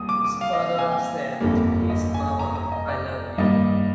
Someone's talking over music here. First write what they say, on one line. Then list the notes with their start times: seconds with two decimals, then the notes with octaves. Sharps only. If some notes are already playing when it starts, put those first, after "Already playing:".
His father said to his mother I love you.
Already playing: D#2 G3 A#3 D#6
0.09 D6
0.24 D6
0.41 F5
0.53 D#5
0.66 F5
0.79 G#5
0.91 G5
1.40 G1 F2 D3 G3 A#3
1.90 D#5
2.14 G#5
2.39 A#5
2.55 A#5
2.72 D#5
2.89 D5
3.38 G2 D#3 G3 A#3 D#5